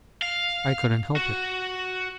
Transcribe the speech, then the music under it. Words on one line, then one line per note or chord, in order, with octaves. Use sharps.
I couldn't help it.
F5
F#4